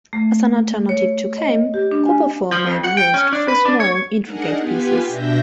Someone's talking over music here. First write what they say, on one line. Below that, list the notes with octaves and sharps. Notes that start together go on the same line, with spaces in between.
As an alternative to came, copper foil may be used, for small, intricate pieces.
A3
C#5
D#5
G4
D4
G#5
F3
F2
F#5
G5
C#4
D4
B4
D4
C#5
D4 D#4 G#4 A#4 F#5
B3 F4 G4 B4 G#5
B2 D4 E5 G6 A#6